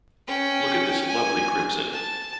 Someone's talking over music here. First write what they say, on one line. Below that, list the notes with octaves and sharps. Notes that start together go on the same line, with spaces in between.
Look at this lovely crimson!
C#4 G5
G#5
A5